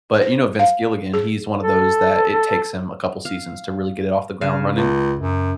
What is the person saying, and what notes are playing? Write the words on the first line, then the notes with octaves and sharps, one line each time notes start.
but, you know, Vince Gilligan, he's one of those that it takes him a couple seasons to really get it off the ground running.
C5
F5
G#4
A4
F5
C#3 F5
C#2
F#2